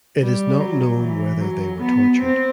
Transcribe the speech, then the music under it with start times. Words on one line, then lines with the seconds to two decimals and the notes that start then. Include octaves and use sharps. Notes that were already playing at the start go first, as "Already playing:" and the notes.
It is not known whether they were tortured.
0.22 G3
0.61 F#3
1.01 E3
1.41 F#3
1.80 B3
2.21 C4